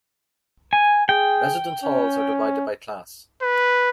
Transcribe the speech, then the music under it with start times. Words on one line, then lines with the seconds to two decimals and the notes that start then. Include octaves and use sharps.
Residence halls are divided by class.
0.73 G#5
1.09 G#4 G5
1.84 C#4
3.42 B4